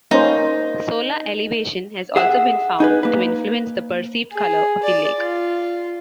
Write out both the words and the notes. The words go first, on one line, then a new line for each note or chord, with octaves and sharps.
Solar elevation has also been found to influence the perceived colour of the lake.
A#3 C#4 D#4 C5
G#4 E5 F#5
D#4 G#4 B4
A#3 B4
G#4
D5
F4